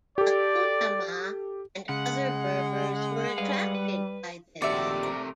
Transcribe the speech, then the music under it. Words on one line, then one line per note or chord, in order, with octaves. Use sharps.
The Kutama and other Berbers were attracted by this.
G4 A4 D5
C#3 G#3 F#5
G3 B4 F5
B4
A#1 C3 D#3 A3 F#4 G4 D5 E5
A#4